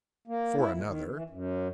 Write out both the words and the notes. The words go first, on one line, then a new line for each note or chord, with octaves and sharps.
"For another?"
A#3
E4
A#2
D#3
E3
F#2